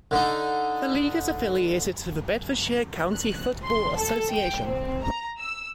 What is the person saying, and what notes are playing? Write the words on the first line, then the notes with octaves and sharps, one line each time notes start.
The league is affiliated to the Bedfordshire County Football Association.
D3 D4 D#4
F#6
C6
A4
G5
C4
A#5
E6